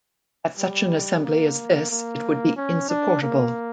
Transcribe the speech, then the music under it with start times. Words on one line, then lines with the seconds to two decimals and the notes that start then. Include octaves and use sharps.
At such an assembly as this it would be insupportable.
0.58 G3
1.24 A#3
1.90 A#3
2.56 C#4
2.89 D4
3.22 A#3